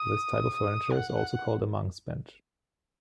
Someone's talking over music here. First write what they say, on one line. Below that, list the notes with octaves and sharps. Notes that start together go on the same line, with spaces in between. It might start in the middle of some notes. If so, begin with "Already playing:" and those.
This type of furniture is also called a monks bench.
Already playing: D#6
F#5